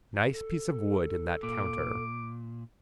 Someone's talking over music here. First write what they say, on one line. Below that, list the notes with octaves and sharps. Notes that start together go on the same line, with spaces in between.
Nice piece of wood in that counter.
A4
A#2 D6